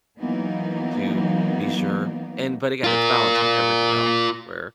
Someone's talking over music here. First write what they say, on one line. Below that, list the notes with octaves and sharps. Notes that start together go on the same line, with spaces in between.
to be sure and but, again, it's balancing everything else, where
E3 F#3 A#3 B3 D#4
F4 A#4